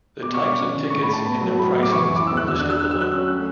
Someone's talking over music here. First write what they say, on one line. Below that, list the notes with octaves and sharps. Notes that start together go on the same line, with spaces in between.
The types of tickets and their pricings are listed below.
B2 D6
C#6
D4
D6
C#4
D3
A2 C#6
B5
A2 A5
B3 B5
F#3
A2 B5
B3
D6
E3 C#6
F#2
D6
E2 E6
F#6
D3 E6
D4 F#6
E6
D4 F#6
F#3 E6
F#6
C#4 E6
A3 F#6